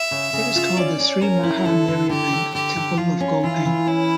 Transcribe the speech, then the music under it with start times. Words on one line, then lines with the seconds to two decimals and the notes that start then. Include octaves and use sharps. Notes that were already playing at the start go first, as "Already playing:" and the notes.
It is called the Sri Maha Mariamman Temple of Gopeng.
Already playing: E5
0.11 C#3
0.33 C#3
0.55 F4
0.77 C#4 D5
0.99 C#4
1.21 C#4 A#4
1.43 E4
1.66 D3 A4
1.88 D3
2.09 D3 G4
2.33 D3
2.54 D3 G4
2.76 D3
2.98 F3 F4
3.20 C#4
3.43 E3 F4
3.65 E3
3.87 C#4 E4